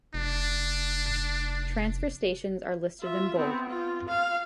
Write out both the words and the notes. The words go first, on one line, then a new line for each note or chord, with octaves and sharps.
Transfer stations are listed in bold.
F1 D4
F4 E5
B3 C4
F4
F5